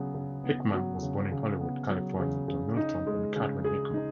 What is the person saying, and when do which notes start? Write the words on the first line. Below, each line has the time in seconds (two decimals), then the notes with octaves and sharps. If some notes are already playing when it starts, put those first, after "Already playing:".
Hickman was born in Hollywood, California to Milton and Katherine Hickman.
Already playing: C#3 F#3 B3
0.14 C#3
0.44 B3
0.74 F#3
1.02 C#3
1.31 C#3
1.61 B3
1.90 F#3
2.20 C#3
2.48 C#3
2.77 D#4
3.07 G#3
3.36 C#3
3.64 G#4
3.94 D#4